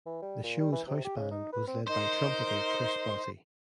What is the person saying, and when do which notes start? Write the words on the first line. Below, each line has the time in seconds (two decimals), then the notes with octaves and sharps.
The show's house band was led by trumpeter Chris Botti.
0.06 E3
0.22 G3
0.43 A#2
0.60 G3
0.72 E3
0.87 C3
1.05 G4
1.17 C#3
1.31 D#4
1.53 B4
1.68 C4
1.88 D#4 A#4 C5 C6